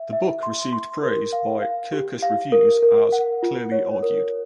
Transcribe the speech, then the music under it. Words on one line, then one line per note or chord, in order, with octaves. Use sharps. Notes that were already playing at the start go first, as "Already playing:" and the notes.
The book received praise by "Kirkus Reviews" as "clearly argued".
Already playing: E5
E5
C6
C6
A#4
F5
F5
G4
F5
A#4
A#4
F#5
F4
C#5
A#4